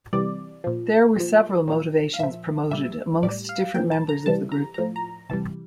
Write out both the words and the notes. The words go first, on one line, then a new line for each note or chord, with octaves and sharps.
There were several motivations promoted amongst different members of the group.
C3 E3 G3 D5
A#2 F3
A#2 F3
A#2 F3
F5
A#2 F3 E5
A#2 G3 E5
A2 G3 D5
F5
A#2 F3 G5
A5
A#5
C3 E3 G3 A5
A#5
A2 F3 A#5
A#5
C3 E3 G3 A5